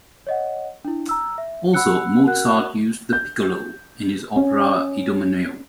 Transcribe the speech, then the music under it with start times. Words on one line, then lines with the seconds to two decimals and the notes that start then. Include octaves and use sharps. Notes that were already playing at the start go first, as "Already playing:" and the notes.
Also, Mozart used the piccolo in his opera Idomeneo.
0.27 C#5 D#5 F#5
0.85 D4 E4
1.09 A#5 E6
1.38 E5
1.74 F#5 B5 E6 F#6 C#7
2.26 F#4 A#4 F#5 F#6
3.13 G6
4.36 C#4